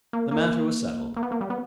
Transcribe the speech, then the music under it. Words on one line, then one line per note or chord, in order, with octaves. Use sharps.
The matter was settled.
A#3
A#3
A#3
B3
A#3
G3
B3